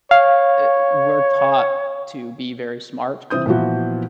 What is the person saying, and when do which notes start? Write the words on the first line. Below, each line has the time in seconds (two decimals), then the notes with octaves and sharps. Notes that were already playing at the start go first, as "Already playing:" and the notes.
uh, we're taught to be very smart.
0.11 C#5 F5
3.30 C3 E3 C4 D#6 G6
3.46 A#2 E3 F3 B3 F#4